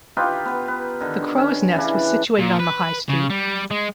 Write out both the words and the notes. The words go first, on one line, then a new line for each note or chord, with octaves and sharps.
The Crows Nest was situated on the High Street.
D#4 F4 G4 B4
B3
B4
D3 D#3
C#4
C#3 E3 D4
A#2
B4
C#3
G3
G#3